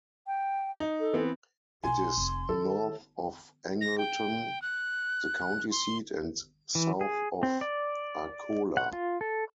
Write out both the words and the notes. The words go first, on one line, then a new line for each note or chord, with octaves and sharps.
It is north of Angleton, the county seat, and south of Arcola.
G5
D#4
A4
E3 B3 C4
B1 G#5 C6
F1
D#3 A4
A#6
G5
F#6
C6
E3
G#4
C4
D5
F#5
F4
A4